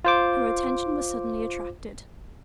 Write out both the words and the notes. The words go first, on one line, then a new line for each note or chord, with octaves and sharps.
Her attention was suddenly attracted.
F4 C5 D6